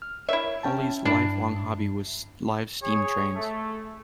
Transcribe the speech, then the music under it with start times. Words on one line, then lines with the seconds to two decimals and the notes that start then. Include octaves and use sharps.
Ollie's lifelong hobby was live steam trains.
0.02 F6
0.29 E4 A#4 C#5 E5
0.63 C#4 G5 A5
1.05 G2 D4 E4
2.83 G#4 C#5
3.34 A3